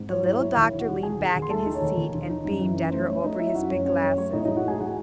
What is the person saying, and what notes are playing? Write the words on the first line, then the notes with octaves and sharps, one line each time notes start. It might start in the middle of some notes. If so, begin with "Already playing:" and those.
The little doctor leaned back in his seat, and beamed at her over his big glasses.
Already playing: G#2
F#3 C#5
E4
C#5
E4
D#2
D#4
F#4 F#5
D#3
D#3 G#4 G#5
D#2
D#2
C6
A3 A4 A5
D#4
C#5
D#2
D#2
D#3
D#4
F#2
E3
C#4
A3 C5
A3 C#5
A3 D#4 D#5
A3 E4 E5
F#2 F#4 F#5
F#2 C#5
C#4 C#5
F#2 C#5
A3 C#5
A2 D#4 D#5
G#3 D#4 D#5
F#4 F#5
A2 G#4 G#5
G#3 F#4 F#5